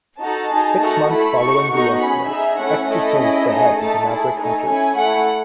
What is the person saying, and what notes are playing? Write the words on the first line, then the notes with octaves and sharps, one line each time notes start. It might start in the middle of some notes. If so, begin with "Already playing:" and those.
Six months following the incident, X assumes the head of the Maverick Hunters.
D#4 F#4 A4 A5
D#4 G#4
A3 D#4 F#4 A4
A3 E4 A4 B5
A3 D#4 F#4 C#6
B3 D#4 F#4 A4 C#6
C#4 G#4 B5
D#4 G#4 E5
A3 C#4 E4 A4 F#5
A3 E4 A4 D#5
C#4 E4 G#4
A3 D#4 G#4
A3 D#4 A4 A5
A3 E4 G#4
A3 D#4 A4 G#5
C#4 E4 A4 G#5
A3 E4 A4 F#5